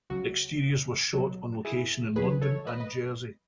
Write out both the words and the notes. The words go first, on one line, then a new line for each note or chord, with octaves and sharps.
Exteriors were shot on location in London and Jersey.
C#2 C#3 F#3 F#4
C#2 B2 F#3
E4 G#4
E2 D#3 F#3 G#4 B4
A4 C#5
B4 D#5
B4 D#5